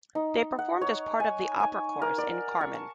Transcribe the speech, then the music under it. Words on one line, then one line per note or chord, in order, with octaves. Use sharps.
They performed as part of the opera chorus in Carmen.
D#4
F#5
C#5
G#5
G#5
A#4
D5
C#6
A5